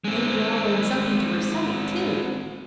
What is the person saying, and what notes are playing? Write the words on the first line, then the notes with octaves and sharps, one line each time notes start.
"May be I'll learn something to recite, too."
G#3 C4